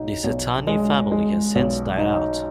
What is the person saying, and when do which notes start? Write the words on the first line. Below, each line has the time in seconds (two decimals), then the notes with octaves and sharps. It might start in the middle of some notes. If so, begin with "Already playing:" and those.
The Caetani family has since died out.
Already playing: B1 D#4
0.24 B1
0.67 G#3
1.11 G#3
1.55 B1
1.98 D#4